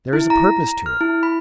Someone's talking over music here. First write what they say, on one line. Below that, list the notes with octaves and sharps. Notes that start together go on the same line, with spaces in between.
There is a purpose to it.
E4
A#5
F6
E4
B5